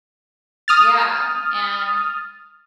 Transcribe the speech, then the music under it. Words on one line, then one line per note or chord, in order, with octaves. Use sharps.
yeah, and
D#6 F6 A6